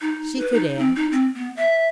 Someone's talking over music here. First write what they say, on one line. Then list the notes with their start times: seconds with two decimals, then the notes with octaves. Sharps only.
She could act.
0.01 D#4
0.39 B4
0.54 D#4
0.79 C4
0.96 D#4
1.12 C4
1.35 B3
1.56 E5